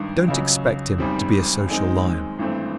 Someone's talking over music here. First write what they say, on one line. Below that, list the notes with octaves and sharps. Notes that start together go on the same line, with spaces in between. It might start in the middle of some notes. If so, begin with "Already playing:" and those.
Don't expect him to be a social lion.
Already playing: G#1 G2 D#3
C#2 C#3 F#3
G#1 F#2 D#3 G3 C4
F#2 D#3 G#3 C4 D#4
G#1 G2 E3 A3 C4